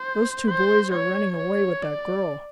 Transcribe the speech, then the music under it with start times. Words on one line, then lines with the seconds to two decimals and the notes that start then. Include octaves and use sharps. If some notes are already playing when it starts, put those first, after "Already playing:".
"Those two boys are running away with that girl!"
Already playing: C5
0.47 C5
0.92 C#5
1.37 C#5
1.83 D5